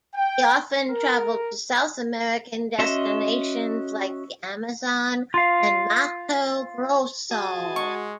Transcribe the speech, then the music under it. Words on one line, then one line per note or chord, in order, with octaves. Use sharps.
He often travelled to South American destinations like the Amazon and Mato Grosso.
G5
A#4
C#4 F#4 D#5 E5 C6
F4 F5
F#4 G#4 D#5 A5
G#3 C#6